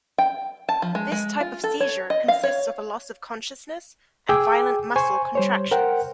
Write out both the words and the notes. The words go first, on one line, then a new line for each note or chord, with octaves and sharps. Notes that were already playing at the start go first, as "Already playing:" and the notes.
This type of seizure consists of a loss of consciousness and violent muscle contractions.
G5
A5
F3
G#3
G#3
F4
A4
C#5
D#5
F5
C#5
G#4 G5 D6 E6
C5 G#5 C#6
G3 C5 C#5
A#4 C5 F#5 G5